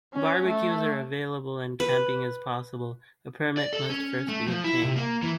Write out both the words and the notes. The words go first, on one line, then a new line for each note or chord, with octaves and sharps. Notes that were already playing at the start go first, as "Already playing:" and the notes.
Barbecues are available and camping is possible - a permit must first be obtained.
C#4
A3
B4
D5
A4
C#4
A3
F3
E4
C3
A#3
E3